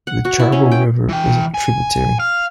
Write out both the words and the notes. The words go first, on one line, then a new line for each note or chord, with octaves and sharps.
The Charwell River is a tributary.
F#5
F#4
E4
C#4
G5
E3 G5
G#5
F5